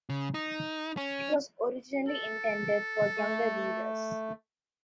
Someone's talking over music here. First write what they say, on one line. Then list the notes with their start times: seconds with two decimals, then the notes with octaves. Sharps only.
It was originally intended for younger readers.
0.09 C#3
0.34 D#4
0.97 C#4
2.09 A4
3.17 A3